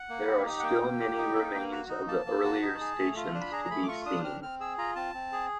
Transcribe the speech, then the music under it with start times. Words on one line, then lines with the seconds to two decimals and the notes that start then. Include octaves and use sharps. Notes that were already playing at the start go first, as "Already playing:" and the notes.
There are still many remains of the earlier stations to be seen.
Already playing: F#5
0.09 A#3
0.28 G4
0.46 D#4
0.59 F#5
0.63 A#3 G5
0.82 A#3
1.00 G4
1.17 D#4
1.35 A#3
1.54 A#3
1.72 F#4
1.89 D#4
2.07 A#3 A5
2.26 A#3
2.44 F#4
2.62 D#4
2.80 G#4
2.98 A3
3.17 F4
3.34 D4
3.41 B5
3.52 G#4 A#5
3.64 A#5
3.71 A3 B5
3.83 D6
3.87 F4 C#6
4.06 D4 D#6
4.24 C4 F6
4.42 C4 F6
4.60 G#4 E6
4.78 F4 A#5
4.96 C4 A5
5.14 C4
5.32 G#4